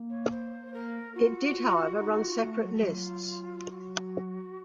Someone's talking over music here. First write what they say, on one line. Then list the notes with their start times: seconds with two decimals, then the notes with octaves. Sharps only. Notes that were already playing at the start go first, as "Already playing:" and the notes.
It did however run separate lists.
Already playing: A#3
0.10 C#5
0.31 C5
0.74 A#4
1.15 F4 F#4
2.00 D#4
2.22 F4
2.43 A3
2.64 F#3
2.74 A3
2.83 F#3 F4
3.70 F#4